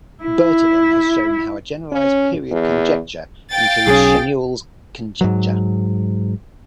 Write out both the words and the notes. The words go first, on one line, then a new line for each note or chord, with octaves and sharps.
Bertolin has shown how a generalised period conjecture includes Schanuel's conjecture.
E4
C#4
E2
F5 G5 A6
B1 C#4 G#4
G#2 F#3